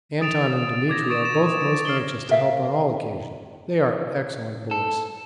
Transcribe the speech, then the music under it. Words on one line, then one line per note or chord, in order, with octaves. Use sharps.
Anton and Demetri are both most anxious to help on all occasions; they are excellent boys.
D#6 A6 D7 E7 F7
D6 G#6 A#6
C#6 D#6 A6 D7 E7
E7
D7
F6 C7 D7 F#7 G7
A#4 E5 F5
A4